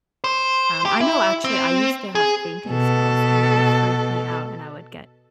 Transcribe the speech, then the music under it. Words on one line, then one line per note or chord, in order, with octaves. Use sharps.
Um, I know, actually, I used to have fainting spells, and it would freak me out, and I would get,
C5
G4
E4
C4
G#4
B2 A4